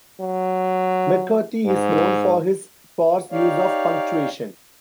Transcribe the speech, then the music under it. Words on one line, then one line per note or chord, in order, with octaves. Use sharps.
McCarthy is known for his sparse use of punctuation.
F#3
G#2
D#4 G4 C#5 D5 F5